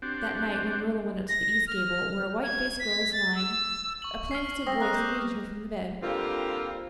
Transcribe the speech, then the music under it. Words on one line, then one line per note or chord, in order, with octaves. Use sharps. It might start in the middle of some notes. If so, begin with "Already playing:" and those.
That night, when Marilla went up to the east gable, where a white-faced girl was lying, a plaintive voice greeted her from the bed.
C4 D4 F#4 G4
A#6
F6
G#6
B6
A6
E6
C#6 F#7
F6 C7
C4 D#6 A#6
A#3 D#6 F#6 A#6
D6 G6
D3 G3 A#3 C4 F4 G4